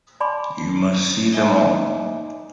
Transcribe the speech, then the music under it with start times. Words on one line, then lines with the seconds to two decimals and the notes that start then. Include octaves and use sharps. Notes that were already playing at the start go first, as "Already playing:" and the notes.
You must see them all.
0.20 D5 G#5 A5 B5 C6 D6
1.32 A#3 D#4 D#5 E5 G#5 D6